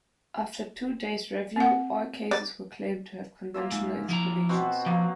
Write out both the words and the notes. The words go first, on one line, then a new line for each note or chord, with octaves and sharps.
After two days' review, all cases were claimed to have conventional explanations.
C4 F#5
D5
A#3 F4 E5
G#2
F3 E4 A#5
B2 C4 F#4
F3 F#3 A#3